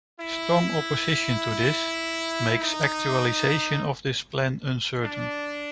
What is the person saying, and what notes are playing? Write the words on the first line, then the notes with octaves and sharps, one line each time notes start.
Strong opposition to this makes actualization of this plan uncertain.
E4
D#4
D4